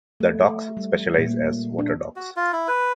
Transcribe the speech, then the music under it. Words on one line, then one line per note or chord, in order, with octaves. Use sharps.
The dogs specialize as water dogs.
A3
G3
A#2
D4
F#4
F4
E4
B4